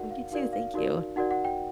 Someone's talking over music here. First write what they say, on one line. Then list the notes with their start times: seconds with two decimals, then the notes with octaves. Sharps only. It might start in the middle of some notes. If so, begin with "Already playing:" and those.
Oh, you too, thank you.
Already playing: D#4 F#4 A#4 D5 F#5
0.11 F5
0.32 D#4 F#4 A#4 D5 F5
0.53 F5
0.74 D#4 F#4 A#4 D5
1.16 D#4 F#4 A#4 D5 F#5
1.31 F#5
1.44 G5